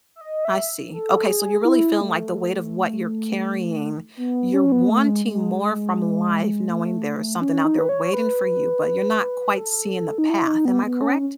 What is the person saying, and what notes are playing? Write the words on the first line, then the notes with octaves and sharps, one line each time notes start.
I see. Okay, so you're really feeling, like, the weight of what you're carrying you're wanting more from life knowing there's something out there waiting for you, but you're not quite seeing the path. Am I correct?
E5
D#5
E5
A4
G#4
E4
A3
B3
C#4
B3
A3
G#3
G#3
A3
C#4
D#4
B4
C#5
B4
A4
D#4
E4
D#4
B3
B3
C#4
C#4